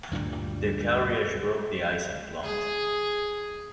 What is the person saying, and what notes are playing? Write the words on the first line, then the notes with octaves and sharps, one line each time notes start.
The carriage broke the ice and plunged.
D2 G2 A#2 G3
G#4